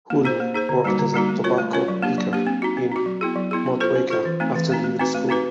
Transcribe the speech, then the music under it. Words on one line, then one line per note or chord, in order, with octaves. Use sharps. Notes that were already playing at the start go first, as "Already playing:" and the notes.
Hulme worked as a tobacco picker in Motueka after leaving school.
A#3
D#4 G#4 C5
A#3
D#4 G#4 C5
D3
G3 A#3 D#4 F#4
D3
G3 A#3 D#4 F#4
A3
C#4 F4 A#4 C#5
A3
C#4 F4 A#4 C#5
F#3
A#3 D4 G4
F#3
A#3 D4 G4
C4
D#4 F#4
C4
D#4 F#4
F#3
B3 E4 G#4
F#3
B3 E4 G#4
C#4
F4 A4 C5
C#4
F4 A4 C5
E3
A3 C4 D#4
E3
A3 C4 D#4
A3
C4 D#4 F#4 B4
A3
C4 D#4 F#4 B4